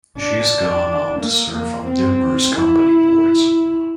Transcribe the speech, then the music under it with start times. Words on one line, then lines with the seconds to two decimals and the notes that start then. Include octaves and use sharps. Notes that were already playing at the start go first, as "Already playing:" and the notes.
She has gone on to serve on numerous company boards.
0.18 D4
1.19 A#3
1.53 A#3
1.86 C4
2.55 E4